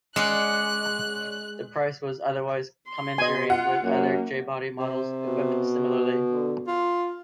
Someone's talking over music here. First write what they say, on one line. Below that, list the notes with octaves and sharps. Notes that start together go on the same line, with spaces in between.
The price was otherwise commensurate with other J-body models equipped similarly.
G#3 C#4 D5 F#5 F#6
C6
B2 D#5 G#5
F4 F#5
F#2 A#3
C3
B2
D3
F4